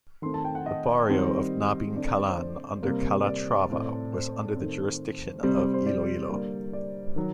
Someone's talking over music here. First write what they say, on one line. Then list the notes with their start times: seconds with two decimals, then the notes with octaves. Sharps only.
The barrio of Nabingkalan under Calatrava, was under the jurisdiction of Iloilo.
0.22 D#3 A3 C4 C6
0.34 A5
0.45 G5
0.55 F#5
0.66 D#5
1.09 D#3 G3 C4
1.96 D3 A3 C4 D5
2.06 D5
2.18 D5
2.29 C5
2.83 C3 G3 A#3
3.27 D5
3.70 A2 A3 C4
4.13 C5
4.56 D#3 A3 C4
5.43 C3 G3 C4
5.74 C5
5.87 D5
6.30 D3 G3 A#3 D5
6.73 D5
7.16 D#3 F#3